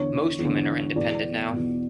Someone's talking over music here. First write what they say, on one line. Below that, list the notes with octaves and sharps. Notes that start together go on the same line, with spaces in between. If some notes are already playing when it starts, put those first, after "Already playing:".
Most women are independent now.
Already playing: E2 D3 C#5
E2
D3
E2 B2 D5
E2 B2